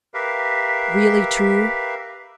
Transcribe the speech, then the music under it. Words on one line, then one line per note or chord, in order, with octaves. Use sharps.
"Really true?"
G4 A#4 B4 E5 F5